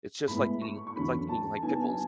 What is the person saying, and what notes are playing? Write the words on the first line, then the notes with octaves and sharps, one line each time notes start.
It's just like eating, it's, like, eating, like, pickles.
A2 G#3 B3 B5
C#6
C#6
E2 D3 F#3 C#4 B5
A5
C#3 F#3 B3 D4 G#5
A5
G#5